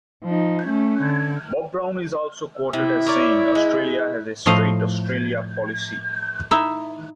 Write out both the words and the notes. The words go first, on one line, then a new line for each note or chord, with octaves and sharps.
Bob Brown is also quoted as saying Australia has a "straight Australia policy".
F3 D#4
A3 C#4
D3
C3 E4
A#4 C#5 D5
G#3
A2 F3 A3 D#5 F5
D#4 E4 E5